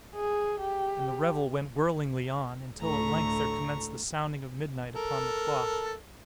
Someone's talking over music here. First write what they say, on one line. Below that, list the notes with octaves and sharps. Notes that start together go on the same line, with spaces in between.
And the revel went whirlingly on, until at length there commenced the sounding of midnight upon the clock.
G#4
G4
D2 A2 A3 A#5 C#6
A4 A#4